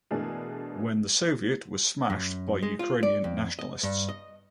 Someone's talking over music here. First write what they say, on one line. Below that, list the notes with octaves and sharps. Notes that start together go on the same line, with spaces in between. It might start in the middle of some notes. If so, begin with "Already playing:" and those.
When the soviet was smashed by Ukrainian nationalists.
B2 E3 A3 D4 G#4 A#4
F#2
G#3
F4
D5
F2
D#5
G2
D#5